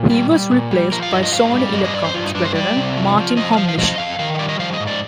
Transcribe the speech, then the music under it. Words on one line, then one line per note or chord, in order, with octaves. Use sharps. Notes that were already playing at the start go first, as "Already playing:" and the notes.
He was replaced by Sony Electronics veteran Martin Homlish.
Already playing: A#2
G3
G3
A#2
G3
F3 A#4
F5
G2 D#5
D#5
G#2 F5
G3
G2 D#5
D#5
G2 D5
C5
G2 F4
D#4
G2 D4
C5
G3 D5
C3
F3
F3
F3 D#5
D#5
F3 F5
F5
F3 D#5
F2 F5
D#3 F5
D#5
G3 D5
D#5
F3 F5
D#5
G#2
D5